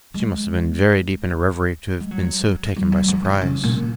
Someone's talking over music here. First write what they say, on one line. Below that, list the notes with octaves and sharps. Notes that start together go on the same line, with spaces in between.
She must have been very deep in her reverie to have been so taken by surprise.
G#3
G#3
F#3
F#3
F#3
E3
D#3
C#3
A#2